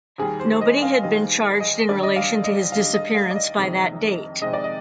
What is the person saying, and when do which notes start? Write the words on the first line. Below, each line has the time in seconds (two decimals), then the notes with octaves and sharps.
Nobody had been charged in relation to his disappearance by that date.
0.18 D#2 D#3 G3 G#4
0.40 C5
0.61 D#5
0.83 F5
1.03 D#2 D#3 G3 D#5
1.60 D#5
1.88 D#2 D3 G3 D5
2.03 D#5
2.16 F5
2.44 D#5
2.72 D#2 D3 G3 F5
2.94 D#5
3.15 F5
3.31 D5
3.36 D#5
3.57 F2 C3 D#3 G#3
4.42 F2 C3 D#3 G#3 D#5
4.53 D5
4.64 D#5